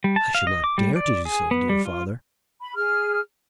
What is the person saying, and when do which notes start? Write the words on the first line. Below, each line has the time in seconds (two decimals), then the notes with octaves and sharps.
"I should not dare to do so, dear father."
0.04 G3
0.16 A5
0.35 F5
0.47 D#5
0.64 D6
0.78 G3
0.96 D5
1.25 G#4
1.51 B3
1.69 G3
1.85 F4
2.61 B5
2.75 G#4 F6